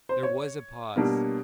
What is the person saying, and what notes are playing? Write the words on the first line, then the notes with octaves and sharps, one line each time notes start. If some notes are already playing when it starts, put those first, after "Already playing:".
There was a pause.
C5
C#5
B2 G3 A#3 D4